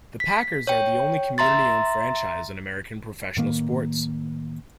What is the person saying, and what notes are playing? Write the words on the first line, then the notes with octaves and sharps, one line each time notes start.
The Packers are the only community-owned franchise in American professional sports.
B6
C#5 G5
E5 A#5 C6 A6
A2 D#3 A#3